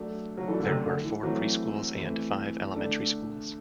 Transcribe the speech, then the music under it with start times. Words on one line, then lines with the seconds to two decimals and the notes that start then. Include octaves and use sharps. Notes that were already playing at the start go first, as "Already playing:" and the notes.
There are four preschools and five elementary schools.
Already playing: F#3 A3 D4 A4
0.37 F#3
0.48 E3 F#3 A3 D4 A4
0.60 D3
0.67 C3
0.86 D3
1.04 E3
1.23 E3 F#3 A3 C4 E4
1.99 E3 A3 C4 E4
2.74 D3 A3 D4 A4